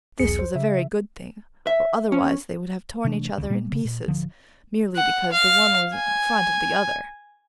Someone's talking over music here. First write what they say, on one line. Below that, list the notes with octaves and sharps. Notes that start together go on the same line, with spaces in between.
This was a very good thing, for otherwise they would have torn each other in pieces, merely because the one was in front of the other.
B1 E2 G#4 C#7
C5
C#3 E5
E5
C#4
C3 E3 A3 D4
D#1 C#2 C#3
A#2 G3 A#3 B3
C#3
A#2
D1 D#2 D3 F3
F#5
F5
G#5